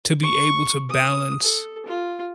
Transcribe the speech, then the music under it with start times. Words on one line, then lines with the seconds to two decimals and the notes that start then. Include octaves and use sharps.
to be able to balance
0.23 C#6
0.90 D#6
1.42 A4
1.86 F4